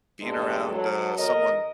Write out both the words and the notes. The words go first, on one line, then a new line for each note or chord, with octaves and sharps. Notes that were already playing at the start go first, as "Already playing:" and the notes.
being around, uh, someone
E2 G2 G#3 A4
F#3 A4
E2 A#4 D#5